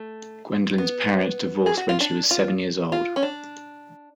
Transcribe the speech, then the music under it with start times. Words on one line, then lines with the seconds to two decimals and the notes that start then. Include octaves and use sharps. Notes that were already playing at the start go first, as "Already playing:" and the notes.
Gwendolyn's parents divorced when she was seven years old.
Already playing: A3
0.78 B3
1.66 G#4
1.77 F#4
1.89 F4
2.00 D4
2.31 F4
2.92 F4
3.16 C#4
3.23 D4